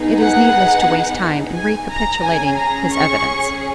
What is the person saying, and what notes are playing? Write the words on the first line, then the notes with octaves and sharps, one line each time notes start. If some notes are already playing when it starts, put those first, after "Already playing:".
It is needless to waste time in recapitulating his evidence.
Already playing: B3 D#4 G#4
F#5
G#5
A#5
C#4 G#4 G#5
A#5
C#6